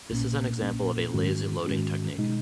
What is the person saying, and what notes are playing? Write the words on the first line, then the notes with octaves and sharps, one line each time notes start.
This is an example of a lazy loading technique.
A#1 A#2 A#3 C#4
A#1 A#2 A#3 C#4
G#2 D#3 G#3 C#4 F#4
G#2 D#3 G#3 C#4 F#4
B2 G#3 D#4